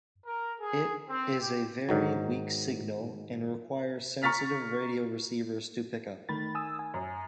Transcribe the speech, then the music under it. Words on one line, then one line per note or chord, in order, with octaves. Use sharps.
It is a very weak signal, and requires sensitive radio receivers to pick up.
A#4
G#4
C4
G4
G#2 D#3 F#3
A#5 C#6 F6 A6 B6 F7
D#3 A3 B5 A6
G#5 D#6 E6
G#5
F#2